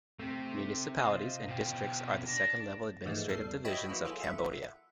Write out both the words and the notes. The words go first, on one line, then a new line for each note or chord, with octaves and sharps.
Municipalities and districts are the second-level administrative divisions of Cambodia.
C3 A3 G4
F4 C5 D#5
B2 G4
D4 A#6
G#2 E3 F3 G#3 A3
E2 G3 A4 C7
F#4 C#5 D#5 E5 G5 B5
E3 F#3 A#3 E4 F#4
E4 F4 G#4 A4
E5 F#5